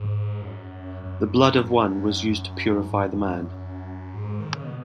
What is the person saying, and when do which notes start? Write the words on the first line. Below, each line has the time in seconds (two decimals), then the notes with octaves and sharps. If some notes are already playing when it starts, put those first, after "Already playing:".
The blood of one was used to purify the man.
Already playing: G#2
0.41 F#2
1.03 F#2
1.65 F#2
2.27 F#2
2.89 G#2
3.01 F#2
3.13 E2
3.24 F#2
4.13 G#2
4.40 D#3
4.52 C#3
4.64 B2